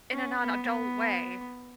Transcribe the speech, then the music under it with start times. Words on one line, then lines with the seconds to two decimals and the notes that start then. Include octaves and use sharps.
in a non-adult way,
0.12 C#4
0.40 B3
0.68 B3